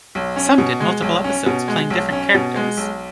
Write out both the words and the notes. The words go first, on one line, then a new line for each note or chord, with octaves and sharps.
Some did multiple episodes playing different characters.
B1
C#4
B2
G#3
B1
C#4
B2
G#3
B1
C#4
B2
G#3
B1